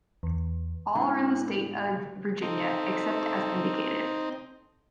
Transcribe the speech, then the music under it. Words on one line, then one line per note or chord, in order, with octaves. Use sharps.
All are in the state of Virginia, except as indicated.
E2
G#2 B2 D3 E4
C4 D#4 A4